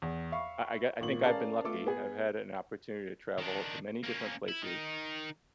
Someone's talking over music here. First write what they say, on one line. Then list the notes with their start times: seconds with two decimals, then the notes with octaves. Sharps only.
I I got I think I've been lucky, I've had an opportunity to travel to many different places,
0.02 E2
0.32 E5 F5 B5 C#6
1.01 G#1 A#2 F#7
1.24 C#4 G#4 A#4 D5 F5 A5
1.64 A3 B3 F4 A4 D6
1.87 B3 G#4
3.38 D#3 D4
4.04 A#3 C#4
4.48 E4
4.62 D#3 D#4